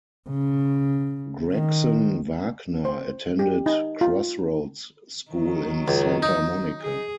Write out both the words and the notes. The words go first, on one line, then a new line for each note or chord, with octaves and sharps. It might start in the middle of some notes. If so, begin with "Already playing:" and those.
Gregson Wagner attended Crossroads School in Santa Monica.
C#3
D#3
C5
G4
D#4
F4
D#3 F#3
C#2
D#4
G#4